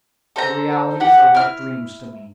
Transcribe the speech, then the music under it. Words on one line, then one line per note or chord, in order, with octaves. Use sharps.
The realities are like dreams to me.
A4 C5 A#5
G4 F#5
E4 F6